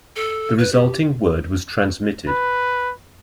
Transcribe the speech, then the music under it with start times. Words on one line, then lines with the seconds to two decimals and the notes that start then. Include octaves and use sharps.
The resulting word was transmitted.
0.16 A4
0.58 B4
0.72 G4
2.28 B4